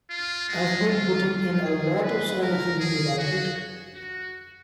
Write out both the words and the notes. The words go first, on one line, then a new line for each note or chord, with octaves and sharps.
I've been putting in a lot of solid thinking about it.
F4
G#3
F4
F4
G#4
B4
A#4
G#4
F#4
F#4